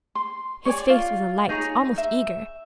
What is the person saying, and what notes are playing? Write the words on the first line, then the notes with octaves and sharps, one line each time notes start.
His face was alight, almost eager.
C6
C#5 D5 G#5
F4
D#4 G#4 C#5 A#5
E5